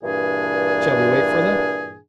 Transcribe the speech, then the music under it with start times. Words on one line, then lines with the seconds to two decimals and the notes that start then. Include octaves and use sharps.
"Shall we wait for them?"
0.03 G2 A#2 E3 D4 G#4